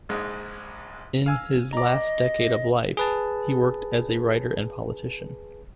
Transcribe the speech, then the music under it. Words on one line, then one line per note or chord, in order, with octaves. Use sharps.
In his last decade of life, he worked as a writer and politician.
A#1 G#2 G#3
F5 G#5 E6
D5 D#5 A#5
G#4 B4 A5